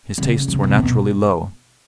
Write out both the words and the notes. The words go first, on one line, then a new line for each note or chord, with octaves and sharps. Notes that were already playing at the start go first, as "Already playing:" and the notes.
His tastes were naturally low.
C#3
C#3
C3
B2